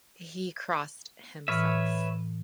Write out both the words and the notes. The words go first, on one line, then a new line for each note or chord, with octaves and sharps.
He crossed himself.
A2 E3 B4 C#5 E5 F6